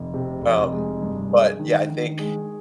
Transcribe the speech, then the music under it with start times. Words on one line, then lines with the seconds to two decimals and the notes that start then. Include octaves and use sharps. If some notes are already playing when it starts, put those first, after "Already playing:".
um, but, yeah, I think,
Already playing: F1
0.14 C3
0.42 F1
0.72 G#3
1.01 G2
1.31 G#3
1.59 D#3
1.89 D#3
2.19 G#3